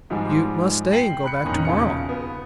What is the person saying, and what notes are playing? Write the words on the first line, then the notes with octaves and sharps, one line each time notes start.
You must stay and go back to-morrow.
G#2 F3 G3 G#3
G5 C7 F#7
B5 F#6 C#7
F2 A#2 C#4 D#4
E1 C#3 F4 C#7
B3